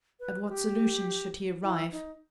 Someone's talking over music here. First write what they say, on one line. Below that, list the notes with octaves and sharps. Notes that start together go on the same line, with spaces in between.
At what solution should he arrive?
B4
G4
E4
D#4